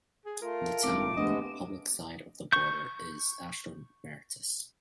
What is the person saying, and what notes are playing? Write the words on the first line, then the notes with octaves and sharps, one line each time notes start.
The town on the Republic side of the border is Astromeritis.
G#4
A3 F4 A#4
G#1 D6
D2 C3 G#3 B3 D#5
C#6 G6